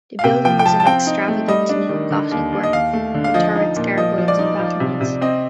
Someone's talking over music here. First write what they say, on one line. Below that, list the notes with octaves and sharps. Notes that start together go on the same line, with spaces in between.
The building is an extravagant Neo-Gothic work with turrets, gargoyles, and battlements.
F5
C3 G5
F3 G5
G5
F3 A5
A5
C4 G5
D#4
A3
G3 D#5
D4
D#3
D3
D#2
D#2
D#5
D#2 F5
A3
D3
F5
F3 D#5
D#4
A#2
F3 D#5
F3
D5
D#4
F3
C3
C3
C4 D#5